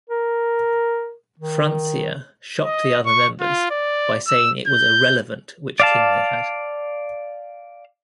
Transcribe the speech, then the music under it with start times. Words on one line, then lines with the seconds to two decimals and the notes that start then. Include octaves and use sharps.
Francia shocked the other members by saying it was irrelevant which king they had.
0.10 A#4
1.39 D#3
2.65 D#5
3.05 C#6
3.40 F4
3.71 D5
4.27 E6
4.67 G6
5.80 D5 F5 A5